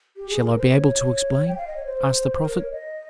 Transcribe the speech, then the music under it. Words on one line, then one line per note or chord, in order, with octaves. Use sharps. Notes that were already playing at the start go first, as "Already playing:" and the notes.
"Shall I be able to explain?" asked the prophet.
G4
G#4
A#4
C5
C#5
G5
F5
D#5
C#5
C5
A#4
C#5
D#5